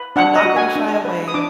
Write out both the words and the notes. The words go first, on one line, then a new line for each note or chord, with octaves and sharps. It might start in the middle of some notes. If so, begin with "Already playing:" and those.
I'm not gonna shy away
Already playing: B4
D4 F#5
D#5
F#4
G#5
D4
B4
D#6
D4 D6